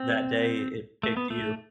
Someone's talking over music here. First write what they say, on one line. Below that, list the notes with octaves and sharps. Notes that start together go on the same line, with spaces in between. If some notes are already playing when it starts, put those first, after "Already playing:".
that day it picked you.
Already playing: C4
A3
B3
A3